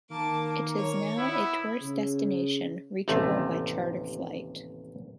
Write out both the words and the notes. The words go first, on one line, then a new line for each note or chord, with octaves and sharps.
It is now a tourist destination reachable by charter flight.
D#3 A#3 A5 D6
C#5
B3 E4
C#3
A1 D#2 C3 A3